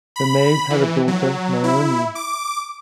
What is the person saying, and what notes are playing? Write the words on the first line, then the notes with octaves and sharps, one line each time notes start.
The Mays have a daughter, Naomi.
B5
E3
F#3
E4
D6